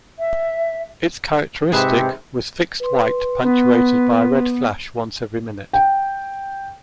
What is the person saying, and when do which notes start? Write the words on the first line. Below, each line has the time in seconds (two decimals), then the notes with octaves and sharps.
Its characteristic was fixed white punctuated by a red flash once every minute.
0.19 E5
1.72 G#2 C3 G#4 B4 E5
2.80 B4 C6
3.42 B3
5.73 G5